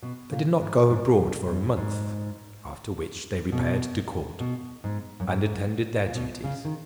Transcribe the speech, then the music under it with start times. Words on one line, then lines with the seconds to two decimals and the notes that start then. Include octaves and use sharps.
They did not go abroad for a month, after which they repaired to court, and attended their duties.
0.03 B2
0.32 A#2
0.61 G#2
0.90 G#2
1.19 F#2
1.48 F#2
1.77 G#2
3.52 B2
4.40 B2
4.84 G#2
5.20 F#2
5.27 G#2
6.06 A#2
6.15 B2
6.44 C#3
6.65 D#3